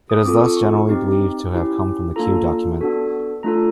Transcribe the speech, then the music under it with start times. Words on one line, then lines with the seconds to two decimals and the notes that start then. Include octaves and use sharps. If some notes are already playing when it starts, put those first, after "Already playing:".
It is thus generally believed to have come from the Q document.
0.10 D#6
0.25 C4 F4 A4 D6
0.41 C#6
0.57 C#6
0.89 C4 D#4 G4
1.52 C#4 E4 G4
2.16 A#3 D4 F4 A4 A#5
2.80 B3 D4 F#4 A4
3.43 A3 D4 F4 A4 A#5